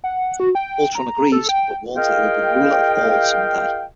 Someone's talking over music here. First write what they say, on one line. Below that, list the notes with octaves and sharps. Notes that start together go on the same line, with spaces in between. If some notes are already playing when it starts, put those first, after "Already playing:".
Ultron agrees, but warns that he will be ruler of all someday.
F#5
F#4
G5
A#5
A4
G5
F4 G#4 A#4 D#5 F5 G5